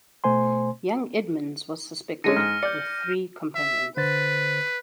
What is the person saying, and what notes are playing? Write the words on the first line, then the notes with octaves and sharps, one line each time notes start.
Young Edmunds was suspected, with three companions.
B2 A3 C5 G#5 C6
D3 G#3 C#4 A#6 C#7 D#7
G#2 F6 A#6 D#7
D5 G6 C#7
E5
D3 B4 C5 A6